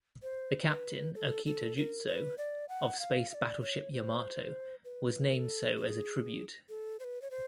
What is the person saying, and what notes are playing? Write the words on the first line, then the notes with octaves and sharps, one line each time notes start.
The captain, "Okita Juzo" of Space Battleship Yamato was named so as a tribute.
C5
B4
A4
A4
A#4
B4
D5
F#5
F5
F5
D5
C#5
C5
B4
A#4
A4
G#4
A4
C5
B4
C#5
C5